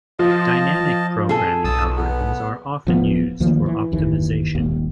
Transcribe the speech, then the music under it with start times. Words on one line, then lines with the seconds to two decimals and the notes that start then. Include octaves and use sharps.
Dynamic programming algorithms are often used for optimization.
0.19 F3 F4 D#5 A5
1.29 G#4 A4
1.64 B1 A5 D#6 E6
1.96 B3
2.87 D1 F3 B3
3.40 D2 D#3 F3 A#3
3.66 E3
3.92 F#1 D#2 E3
4.55 D#1 G#1 D#2